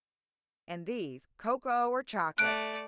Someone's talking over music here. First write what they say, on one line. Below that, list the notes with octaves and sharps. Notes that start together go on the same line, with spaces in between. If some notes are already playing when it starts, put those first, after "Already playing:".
And these,--cocoa or chocolate.
A3 D5 F#6 D7